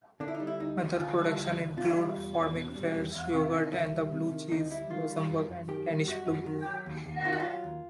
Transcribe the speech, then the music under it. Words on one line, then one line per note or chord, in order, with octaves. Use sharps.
Other products include fromage frais, yoghurts and the blue cheeses Rosenborg and Danish Blue.
D3 D4
E4
D#4
G3
E4
D2 D#4
D2
D3 F4
G3
D2
D2
B2 F4
G3
E2
E2
B2
G3
E2
E2
C3
D#3
D2 E4
G3
C3
D#3
D2 D#4
G3 E4
D#3 F4
G3
F#2
F#2
D#3 G4
G3
F#2 F#4
F#2
D#3
F#3
D#2
D#2
D#3 F4
F#4
F#3 F4
D#2